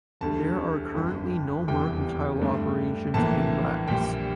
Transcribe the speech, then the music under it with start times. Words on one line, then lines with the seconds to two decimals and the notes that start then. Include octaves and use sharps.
There are currently no mercantile operations in Rex.
0.21 E1 D2 D3 G3 A5
0.94 G1 F2 D3
1.68 F1 E2 C3 G3 G5
2.41 G2 D3 A3
3.14 A#1 A2 E3 A#3 A5
3.88 A#1 A#2 G3 G5